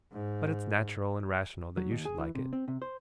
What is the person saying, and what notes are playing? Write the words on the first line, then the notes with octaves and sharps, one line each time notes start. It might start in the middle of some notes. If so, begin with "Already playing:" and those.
But it's natural and rational that you should like it.
G#2
F#3
D#2
G#4
E3
C3
C4
C3
C5